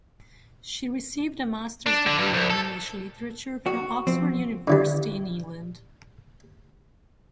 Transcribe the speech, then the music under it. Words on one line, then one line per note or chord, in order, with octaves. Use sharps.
She received a master's degree in English literature from Oxford University in England.
D4
D3
G2
C2
A4
F#4
F3 C4
D3 E3 G3